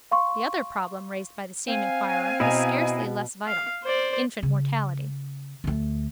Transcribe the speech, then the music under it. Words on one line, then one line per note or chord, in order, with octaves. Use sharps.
The other problem raised by the same inquirer is scarcely less vital: infant mortality.
F5 C6 C#6
C4 F5 G#5
B2 E4 D#5 A#5
F5
C5 D5
C#3
D2 A3